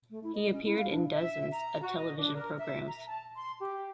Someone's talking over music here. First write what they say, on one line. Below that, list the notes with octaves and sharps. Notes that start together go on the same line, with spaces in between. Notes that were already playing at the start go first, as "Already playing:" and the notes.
He appeared in dozens of television programs.
A3
E4
D#5
C#4
E4
F5
D4
E5
A#5
F#4
D#5
D4
A#4
E5
A#5
A5
C6
G4